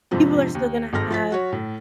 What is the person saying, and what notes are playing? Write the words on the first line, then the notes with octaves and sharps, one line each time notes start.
people are still gonna have
F2 G#2 C3 F3 D4
D#2
G#1 G#2 A4 F6 A#6
F3 A6 B6
F#3 F#4 C#5
A2